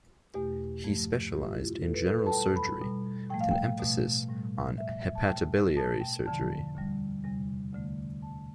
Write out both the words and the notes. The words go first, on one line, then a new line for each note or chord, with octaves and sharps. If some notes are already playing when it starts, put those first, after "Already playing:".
He specialized in general surgery, with an emphasis on hepatobiliary surgery.
E2 B2 A3 G4
G2 F3 A3
B2 G3 G4
F4
E4
F4
B2 A3 A4
B4
A4
B4
A5
B2 G3 G5
B5
B2 G3
A2 F3 A3 G5
F5
G5
B2 A3
A2 G3
G2 F3 A3 E5
E5
A5
B2 A3 G5
B2 A3 A5
G5
E2 D3 F3 A5
D2 D3 G3
E2 C3 G3
D2 D3 A3
B2 G3 A5